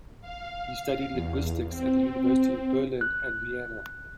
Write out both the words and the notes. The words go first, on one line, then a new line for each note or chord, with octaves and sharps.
He studied linguistics at the universities of Berlin and Vienna.
F5
E2
C4
F#6